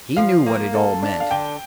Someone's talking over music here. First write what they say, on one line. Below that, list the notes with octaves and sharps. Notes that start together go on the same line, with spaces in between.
He knew what it all meant.
F3 F5
A#3
A4
D4
F5
D3 G5